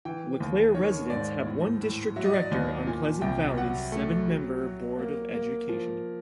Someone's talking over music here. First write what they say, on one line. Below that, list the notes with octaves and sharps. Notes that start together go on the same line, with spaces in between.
LeClaire residents have one district director on Pleasant Valley's seven-member board of education.
E3 G5
D#2
D#3 C#5
G#2 D5
A2
A2
F#3 E5
D#5
D5
D#5
D#2
A#2 G#5
C2 G5
F#3 F#5
A3
F#3
F#3
A#3
A#3
F3